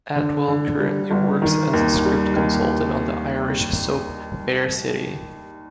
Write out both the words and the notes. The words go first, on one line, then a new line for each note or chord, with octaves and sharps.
Atwell currently works as a script consultant on the Irish soap Fair City.
D3
D3
G3
G1
D#3
D#2
G3
D#2